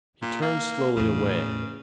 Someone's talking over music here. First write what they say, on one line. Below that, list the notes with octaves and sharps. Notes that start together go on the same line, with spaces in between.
He turned slowly away.
A#2
A#3
E2 A2 C#3